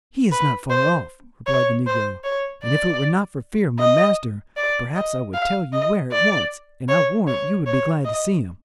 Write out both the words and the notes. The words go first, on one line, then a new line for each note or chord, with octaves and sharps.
"He is not far off," replied the negro; "and if it were not for fear of my master, perhaps I would tell you where at once, and I warrant you would be glad to see him."
B4
C5
C#5
C5
C#5
D5
D#5
D5
D#5
F5
D#5
D5
C#5
C#5
C#5
D#5